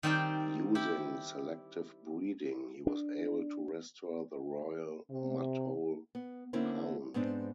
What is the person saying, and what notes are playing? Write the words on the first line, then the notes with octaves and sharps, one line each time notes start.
Using selective breeding, he was able to restore the royal Mudhol hound.
D#3 G3 C4 D#4 D5 G5
E4 G4
D4
C3
B3
D3 A#3 C4 C#4 E4
G#2 B3 C4 D4